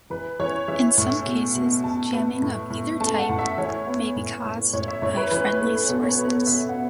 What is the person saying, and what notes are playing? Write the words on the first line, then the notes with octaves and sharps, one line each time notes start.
In some cases, jamming of either type may be caused by friendly sources.
E3 B4
E3 C#5
E3 E5
A2
B2
B2
B2 A5
B3
A2
A2
A3 A5
F#5
A2
E5
E3 C#5
B3
A2
A2
A2 C#5
E5
A2 C#5
B4
E3 B4
A3
B2 A4
C#5
B4
B3
A4
B2 E5
F#5